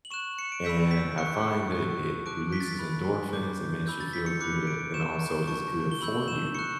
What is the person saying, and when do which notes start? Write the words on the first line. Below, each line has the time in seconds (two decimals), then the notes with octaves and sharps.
and I find that it releases endorphins, it makes you feel good, and also is good for you
0.05 F#7
0.11 C#6 F#6 E7
0.39 C#7
0.52 D7
0.64 B5 E6 G6 B6
0.91 B6
1.18 C#6 F#6 C#7
1.72 C#6 F#6
2.26 A5 D6 F#6 D7
2.52 B6
2.60 A6
2.68 B6
2.79 B5 F#6
3.33 A5 D6 G6
3.87 B5 E6 G6
4.01 A6
4.13 B6
4.26 C#7
4.41 B5 D6 F#6 C#7
4.67 D7
4.94 C#6 G6 E7
5.48 A5 C#6 G6
5.91 G7
6.01 B5 E6 G6 F#7
6.28 E7
6.55 C#6 F#6 C#7